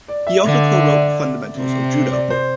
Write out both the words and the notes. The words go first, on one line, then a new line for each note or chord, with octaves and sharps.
He also co wrote "Fundamentals of Judo".
D5
E5
D3 D5
E5
D5
C3 C4
D5
C5